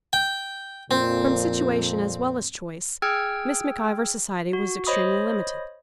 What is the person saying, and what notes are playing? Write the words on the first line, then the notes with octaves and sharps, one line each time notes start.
From situation as well as choice, Miss Mac-Ivor's society was extremely limited.
G5
F2 A#2 C4
G#4 G5 E6 F6 G#6
F#4
C5 C#5 D#5 B5 D#6